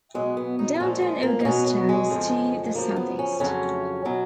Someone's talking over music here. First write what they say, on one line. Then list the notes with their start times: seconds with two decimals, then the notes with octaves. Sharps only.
Downtown Augusta is to the southeast.
0.14 B2 F#3 G#3
0.37 B3
0.59 D#4
0.75 B3
0.80 A#2 F3 G#3 C#4
1.02 G#3
1.23 A#3
1.40 D#4
1.45 B2 F#3 C#4
1.67 B3
1.89 G#3
2.10 F2 C#3 F3
2.65 G#3
2.75 F#2 C#3 F3 A#3
2.96 B3
3.19 C#4
3.40 F2 C#3 F#3 C#4
4.05 B2 F#3